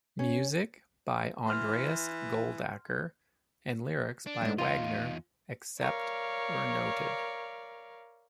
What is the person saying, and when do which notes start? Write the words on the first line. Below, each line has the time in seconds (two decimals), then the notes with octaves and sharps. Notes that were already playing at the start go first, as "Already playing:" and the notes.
Music by Andreas Goldacker and lyrics by Wagner except where noted.
0.19 C#4
1.46 E3 C6 F6
4.27 D4
4.41 F2 G#2
4.58 E2 D#4 F4
5.79 A#4 C#5 D5 F5